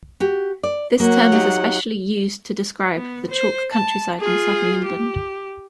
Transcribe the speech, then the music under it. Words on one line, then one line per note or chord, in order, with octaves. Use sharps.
This term is especially used to describe the chalk countryside in southern England.
F#4 G4
D5
F#3 A#3 F#5
D#4 G4 F5
B3
C5
A5
F4 G#4
G4